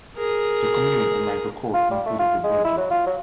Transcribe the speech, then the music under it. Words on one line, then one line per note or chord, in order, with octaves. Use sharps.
The Commune, unlike the Court, included the burgesses.
G#4 A#4
F4
G3
A3
F4
G#3
E4
F#3
F4
F#3